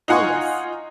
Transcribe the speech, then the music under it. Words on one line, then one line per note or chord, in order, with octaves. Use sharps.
Oh yes.
D#4 F4 F#5 G#5 C6 C#6